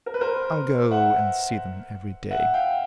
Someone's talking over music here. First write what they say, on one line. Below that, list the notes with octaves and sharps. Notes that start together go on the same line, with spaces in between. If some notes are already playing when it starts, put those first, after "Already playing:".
I'll go and see them every day.
A#4
B4
A#4 C5
E5 F#5
E5 F#5
F5 G5